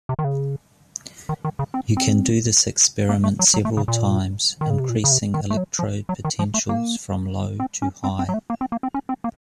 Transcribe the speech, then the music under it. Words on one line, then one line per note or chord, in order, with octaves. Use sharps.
You can do this experiment several times increasing electrode potentials from low to high.
C3
D#3
C#3
D#3
D#3
C#3
C4
C4
A#3
A3
F#3
F#3
A3
C#3
A#2
D#3
C#3
C3
A#2
C#3
C3
D#3
A3
F#3
F3
F#3
D#3
F3
A3
A#3
C4
C#4
C4
C4
F#3
A3
A#3
C4
A#3
C4
C#4
C4
A#3